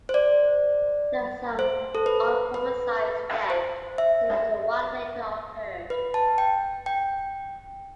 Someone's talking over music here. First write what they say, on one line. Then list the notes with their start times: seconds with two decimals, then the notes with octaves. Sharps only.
There were some unpublicized deaths similar to what later occurred.
0.09 C5
0.14 D5
1.59 C5
1.95 A4
2.06 B4
2.54 B4
3.50 C5
3.98 E5
5.90 B4
6.14 A5
6.38 G5
6.86 G5